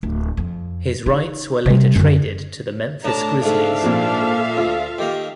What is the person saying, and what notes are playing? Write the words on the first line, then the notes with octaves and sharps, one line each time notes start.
His rights were later traded to the Memphis Grizzlies.
D1
F2
D#4
C3 G3
F#2 D3
A2 A3 D4 A5 A#5
G#2 A3 A4 E5 F5
A#2 F3
D2 F4
D#3 A#3 G4